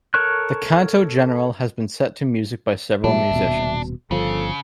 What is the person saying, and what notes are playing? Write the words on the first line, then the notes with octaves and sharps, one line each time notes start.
The "Canto General" has been set to music by several musicians.
A4 A#4 C#5 C#6 F#6
A#2 F3 G3 D4 E5
D#1 B2
G1 C#3 F3 A4